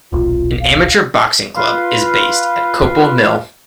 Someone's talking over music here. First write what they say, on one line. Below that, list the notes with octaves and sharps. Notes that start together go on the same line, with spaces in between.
An amateur boxing club is based at Coppull Mill.
D#1 B1 F4
F5
F4 B4 F5 C6